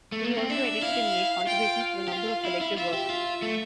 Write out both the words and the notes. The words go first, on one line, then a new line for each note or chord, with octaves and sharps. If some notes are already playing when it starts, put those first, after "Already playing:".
He also edited and made contributions to a number of collective works.
A3
A#3
C4
D4 E5
E4 F5
F4 G5
F5
G4
F4
E4
E4
F4 E5
G4
F4
A3